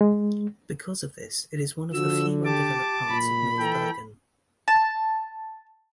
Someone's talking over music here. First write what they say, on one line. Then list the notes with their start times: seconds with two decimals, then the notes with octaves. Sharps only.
Because of this, it is one of the few undeveloped parts of North Bergen.
0.01 G#3
1.93 D3 F3 F#4 E6
2.45 G4 A5 D6
3.10 A#2 B5
3.58 E3 A4 G5
4.68 A5